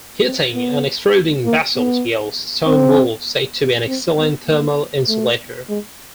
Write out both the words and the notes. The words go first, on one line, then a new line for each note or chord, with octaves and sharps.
Heating and extruding basalt yields stone wool, said to be an excellent thermal insulator.
C4
B3
A#3
B3
C4
C4
B3
A#3
A3
G#3